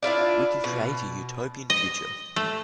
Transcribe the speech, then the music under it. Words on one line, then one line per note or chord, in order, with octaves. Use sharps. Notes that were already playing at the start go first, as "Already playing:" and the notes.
We can create a Utopian future.
D4 E4 F4 D5
B2
D#5
A3